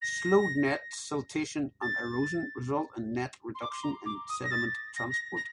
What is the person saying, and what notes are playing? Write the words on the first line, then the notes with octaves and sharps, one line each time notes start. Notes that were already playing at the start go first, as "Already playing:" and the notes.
Slowed net siltation and erosion result in net reduction in sediment transport.
A#6
A6
C6
D6
C6
A#5
D6
D#6
A#6
A6
A#6
A#6
A#6